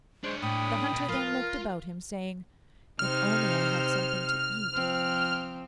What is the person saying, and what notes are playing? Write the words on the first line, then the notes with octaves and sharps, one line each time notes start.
The Hunter then looked about him, saying, 'If only I had something to eat!
G#3 D4 C5 C#5
A2 G5 B5 D#6
B2
F3 F4 A#4 B4
C3 D#4 C5 F6
F3 C4